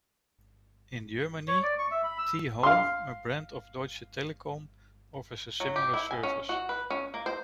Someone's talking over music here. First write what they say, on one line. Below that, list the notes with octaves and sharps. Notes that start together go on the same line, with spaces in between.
In Germany, T-Home, a brand of Deutsche Telekom, offers a similar service.
C#5
D5
C#6
E5
B5
E6
F5 C6
F#3
G4
E4
G#5
C#4
F#4
B4
C#4
A#3
C5